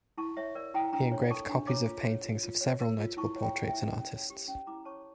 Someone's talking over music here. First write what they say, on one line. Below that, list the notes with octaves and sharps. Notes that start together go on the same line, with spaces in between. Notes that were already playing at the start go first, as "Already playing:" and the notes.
He engraved copies of paintings of several notable portraits and artists.
E4 A5 C#6
C#5 E5
A#4 D5
E4 G5 A#5
D4 G5 A#5
C#5
A4 A5 C#6
D4
C#5 A#5 D6
F4
C#5
F4
F4
C#5
A#4
F4
E4 A5 C#6
C#5
G5 A#5
G4
E5 G5
E4
C#4
C#5
G4
C#4
E4 A#5 D6
C#5 A5 C#6